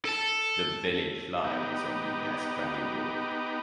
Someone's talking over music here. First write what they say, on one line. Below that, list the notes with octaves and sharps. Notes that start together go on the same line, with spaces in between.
The village lies on the Esk Valley Walk.
A4 A5
B3 D#4 G4